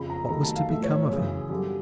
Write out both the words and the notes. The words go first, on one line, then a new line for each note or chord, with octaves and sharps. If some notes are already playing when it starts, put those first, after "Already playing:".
What was to become of him?
Already playing: F2 C#3 F3 B5
A#5
C3 D#3 F#3 A3 A#5
A5
F5
A2 F3 A3 E5
C#5
F#2 C#3 E3
F#2 D3 G3